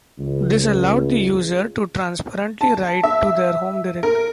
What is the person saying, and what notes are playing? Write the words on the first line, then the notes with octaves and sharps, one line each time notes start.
This allowed the user to transparently write to their home directory.
C#2
A5
E5
A#4